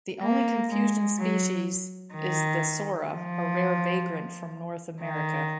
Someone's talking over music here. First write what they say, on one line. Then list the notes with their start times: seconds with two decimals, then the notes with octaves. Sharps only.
The only confusion species is the sora, a rare vagrant from North America.
0.22 A#3
0.70 G#3
1.19 F#3
2.14 D#3
3.11 F3
5.02 D#3